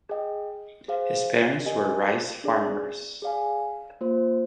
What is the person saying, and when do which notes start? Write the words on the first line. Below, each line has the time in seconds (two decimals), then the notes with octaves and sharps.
His parents were rice farmers.
0.09 G#4 D#5 G5
0.88 G#4 C5 F5
1.66 G4 A#4 D#5 G#5
2.44 D4 G#4 D5
3.22 G#4 D5 F5 G#5
4.01 A#3 F4 C5